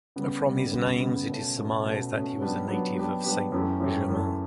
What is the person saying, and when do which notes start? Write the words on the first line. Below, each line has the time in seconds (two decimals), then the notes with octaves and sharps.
From his names, it is surmised that he was a native of Saint Germans.
0.16 C#3 G3 B3
0.43 C#3 G3 B3
0.72 C#3 G3 B3
1.00 C#3 G3 B3
1.28 B2 A3 C#4
1.56 B2 A3 C#4
1.84 B2 A3 C#4
2.12 B2 A3 C#4
2.40 F#3 B3 D4 G4
2.68 F#3 B3 D4 G4
2.96 F#3 B3 D4 G4
3.24 F#3 B3 D4 G4
3.52 F#2 E3 A3 C#4 G4
3.80 F#2 E3 A3 C#4 G4
4.08 F#2 E3 A3 C#4 G4